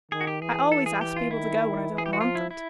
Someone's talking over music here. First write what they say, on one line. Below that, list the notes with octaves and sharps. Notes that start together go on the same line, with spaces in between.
"I always ask people to go when I don't want them to."
D#3 G#4
F#4
G4
E3 G#4
A4
G#4
G4
F4
D#3 E4
E3
G#4
G4
F#4
F3 F4
E4
E4